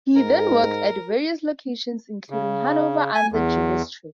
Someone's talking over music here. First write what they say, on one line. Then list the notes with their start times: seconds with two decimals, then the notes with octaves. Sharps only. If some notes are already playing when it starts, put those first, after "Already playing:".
He then worked at various locations including Hanover under Julius Trip.
0.16 G#2 A#4
2.30 C#3
3.14 G#5
3.32 E2